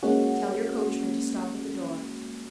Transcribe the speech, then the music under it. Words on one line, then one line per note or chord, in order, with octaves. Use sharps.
"Tell your coachman to stop at the door."
G#3 A#3 C#4 F#4